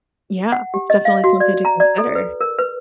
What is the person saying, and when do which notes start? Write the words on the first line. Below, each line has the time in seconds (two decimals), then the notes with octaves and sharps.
Yeah. It's definitely something to consider.
0.52 F#5
0.74 G4
0.90 D#5
1.05 F5
1.24 F#4
1.40 D5
1.65 A#5
1.80 D5
1.98 A4
2.15 B4
2.41 A#4
2.59 B4